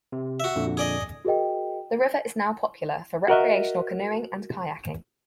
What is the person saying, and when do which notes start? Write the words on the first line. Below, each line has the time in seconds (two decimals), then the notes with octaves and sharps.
The river is now popular for recreational canoeing and kayaking.
0.12 C3
0.40 F#4 E5
0.56 F2 A#2 D3
0.77 G#4 D5 D#5
1.25 F#4 G#4 A#4 D#5 G5
3.28 F#4 A#4 D#5 E5